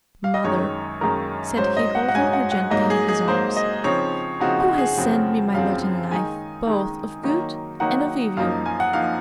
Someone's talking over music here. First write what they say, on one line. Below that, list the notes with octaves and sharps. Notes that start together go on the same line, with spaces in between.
'Mother!' said he, holding her gently in his arms, 'who has sent me my lot in life, both of good and of evil?'
F5
D#5
F#2 D#3 G#3 D#4 C#5
F#2 D#3 G#3 D#4 A#4
G#2 F#3 C#4 C5
D#5
F#5
F#5
G#2 F#3 C#4 G#5
F#5
F#5
G#2 F#3 A#3 D#4 D#5
G#4
G#4
G#2 F#3 A#3 D#4 C5
D#5
C#3 F3 C4 D#4 C#5
C#3 F3 C4 D#4 F#4
F#4
G#4
F#2 C#3 F3 C4 F#4
F#2 C#3 F3 C4 F5
D#3 G#3 D#4 G#5
D#3 G#3 D#4
D#3 F#3 A#3 D#4
D#3 F#3 A#3 D#4 F#5
F#2 F3 A#3 D#4 F5
G#5
F#5
F3 A#3 D#4 F5